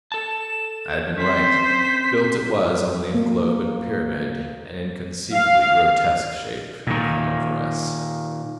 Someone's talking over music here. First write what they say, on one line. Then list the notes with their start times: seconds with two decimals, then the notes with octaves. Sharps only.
I had been right--built it was only of globe and pyramid; an inconceivably grotesque shape, it hung over us.
0.12 A4 A5 E7
1.18 C4 C#4 C5 B6
3.14 A#3
5.33 F5
6.87 A#2 D#3